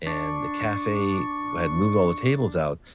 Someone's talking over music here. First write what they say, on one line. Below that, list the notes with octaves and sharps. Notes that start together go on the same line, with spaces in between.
and the cafe w had moved all the tables out.
D4 C#6